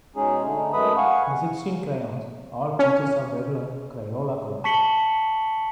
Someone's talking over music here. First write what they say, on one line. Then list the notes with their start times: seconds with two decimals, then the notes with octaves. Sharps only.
The sixteen crayons all consisted of regular Crayola colors.
0.16 B2 G#3 C#4 D#4 G#4
0.44 D3 A3 D#4
0.73 F#2 G#3 A3 B4 B5 D#6
0.97 F5 F#5 G#5 C#6
2.79 C#4
4.64 A5 C#6 B6 C#7 F#7 G7